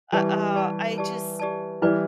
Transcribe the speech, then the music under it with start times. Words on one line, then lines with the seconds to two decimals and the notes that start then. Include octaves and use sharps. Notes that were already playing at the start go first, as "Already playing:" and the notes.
Uh, uh, I just
0.12 E3 G3 G4 D5 A5
0.55 G4 D5 A5
0.98 G4 D5 A5
1.39 G4 D5 A5
1.82 E3 G3 E4 B4 D5